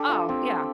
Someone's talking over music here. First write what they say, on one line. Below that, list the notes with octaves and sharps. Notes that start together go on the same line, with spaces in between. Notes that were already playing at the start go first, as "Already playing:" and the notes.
Oh, yeah.
Already playing: D4 G4 A4
F4
C4